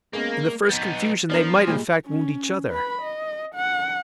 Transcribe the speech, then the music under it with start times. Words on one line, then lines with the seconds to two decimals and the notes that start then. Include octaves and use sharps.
In the first confusion, they might, in fact, wound each other.
0.13 G#3 A#3 B3 C#4
0.69 B3 D#4 G6 A6
1.30 F3 B3 D4 A#4
1.67 A#2 G3 G#3
2.07 C#4
2.71 B4 B5
3.02 D#5
3.55 F#5